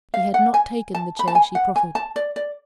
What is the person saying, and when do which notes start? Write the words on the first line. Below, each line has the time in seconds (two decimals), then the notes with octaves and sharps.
He had not taken the chair she preferred.
0.14 F5
0.34 F#5
0.54 G#5
0.95 A5
1.19 B5
1.28 A5
1.35 G#5
1.55 F#5
1.76 G#5
1.95 A5
2.16 D5
2.36 D5